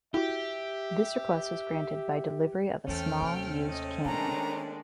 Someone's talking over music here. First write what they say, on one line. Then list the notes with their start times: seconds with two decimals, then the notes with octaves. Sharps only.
This request was granted by delivery of a small used cannon.
0.14 E4 F#4 G4 E5
2.88 E2 E3 A3 C4 C#4 G5 F6
3.21 D#2 C3
3.69 D#5
4.05 D#3 G#3 A#3 D4 A#5